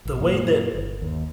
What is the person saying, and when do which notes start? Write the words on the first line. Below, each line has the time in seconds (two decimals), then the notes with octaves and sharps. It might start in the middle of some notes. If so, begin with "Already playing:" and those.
the way that
0.05 A#1
0.20 F#2 A#2 E3
0.73 G1
1.02 D#2